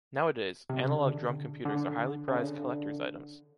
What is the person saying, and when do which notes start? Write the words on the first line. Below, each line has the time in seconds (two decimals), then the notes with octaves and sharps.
Nowadays, analog drum computers are highly prized collector’s items.
0.69 C3
0.83 C#3
0.97 D3
1.65 D3
2.28 C#3
2.34 D3